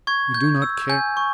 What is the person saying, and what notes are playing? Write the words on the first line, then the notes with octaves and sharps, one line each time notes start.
We do not care.
C#6 G#6
G6
E6
G#5 G6
C#6